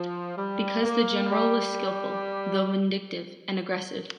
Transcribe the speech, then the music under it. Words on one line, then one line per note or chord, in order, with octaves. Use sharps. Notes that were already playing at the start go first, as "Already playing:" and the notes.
Because the General was skillful, though vindictive and aggressive.
Already playing: F3
G3
A#3
G3